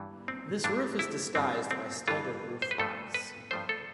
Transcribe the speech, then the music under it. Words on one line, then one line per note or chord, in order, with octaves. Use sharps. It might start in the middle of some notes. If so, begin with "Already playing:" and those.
This roof is disguised by standard roof racks.
Already playing: G2 E3 G3
C4
G2 E3 G3 D4
E4
G2 E3 G3 C4
C4
G2 E3 G3 F4
C5
B4
G2 F3 A3 A4
B4
G2 F3 A3 C5
A4